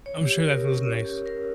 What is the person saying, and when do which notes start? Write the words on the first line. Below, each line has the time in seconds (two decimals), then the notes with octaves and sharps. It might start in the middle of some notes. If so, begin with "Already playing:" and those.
I'm sure that feels nice.
0.06 C#5
0.25 G4
0.45 A#4
0.65 C#4
0.86 C#5
1.05 G4
1.26 A#4